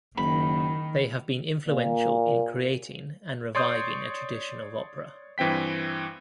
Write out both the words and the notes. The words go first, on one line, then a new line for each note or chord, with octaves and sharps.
They have been influential in creating and reviving a tradition of opera.
F#1 D#3 B5
A#2
C#5 D5 C6 C#6 D#6 G6
G2 E3 C4 G5 B6